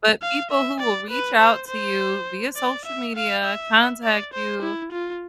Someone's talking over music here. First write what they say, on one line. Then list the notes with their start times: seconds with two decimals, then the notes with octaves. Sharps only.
but people who will reach out to you via social media, contact you,
0.22 F5
0.51 E5
0.80 D5
1.10 B4
1.39 C5
1.68 C5
2.56 D5
2.85 E5
3.16 F5
3.44 E5
4.03 D5
4.33 C5
4.62 E4
4.92 F4